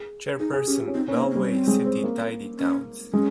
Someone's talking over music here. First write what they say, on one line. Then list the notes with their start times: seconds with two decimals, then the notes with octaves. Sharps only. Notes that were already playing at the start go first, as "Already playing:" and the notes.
Chairperson Galway City Tidy Towns.
Already playing: G#4
0.40 D#4 G#4
0.53 G#4
0.67 C#4 G4
0.80 F4
0.88 C#4
0.94 C4 D#4
1.08 C#4
1.13 A#3
1.22 C4
1.31 A#3
1.35 G3
1.49 G3 C4
1.67 G#3
1.86 C4
2.04 A#3
2.59 C#4
3.13 G#3 C#4